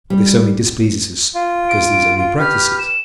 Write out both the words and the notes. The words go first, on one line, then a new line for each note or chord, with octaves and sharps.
But this only displeases us because these are new practices.
G3
F4
D7
F4
G4 B4 F6
E7